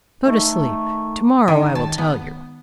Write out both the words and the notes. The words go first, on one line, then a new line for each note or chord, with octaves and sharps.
Go to sleep; to-morrow I will tell you.'
D#3 A3 A5
D#3
A5
B3